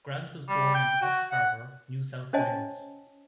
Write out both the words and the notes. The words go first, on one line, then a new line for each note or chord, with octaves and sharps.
Grant was born in Coffs Harbour, New South Wales.
G3
G5
F#4
F#5
C#4 C5 C#5 D#5 G#5 A5